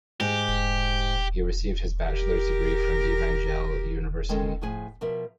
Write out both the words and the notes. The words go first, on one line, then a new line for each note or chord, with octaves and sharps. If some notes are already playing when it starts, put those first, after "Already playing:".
He received his bachelor’s degree from Evangel University.
G#2 G4
G4 A#4
D#3 G#3 C4 C#4 G#4 A4
A2 F3 G#4 G#5
B2 F3 A#4 E5